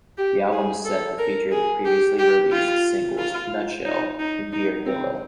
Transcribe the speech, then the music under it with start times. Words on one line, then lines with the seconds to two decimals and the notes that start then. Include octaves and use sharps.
The album is set to feature the previously released singles "Nutshell" and "Dear Dilla".
0.18 G4
0.52 G#4
0.85 A4
1.18 A#4
1.51 G#4
1.85 G4
2.19 G4
2.52 F4
3.18 F4
3.85 D#4
4.19 D#4
4.53 D#4
4.86 C4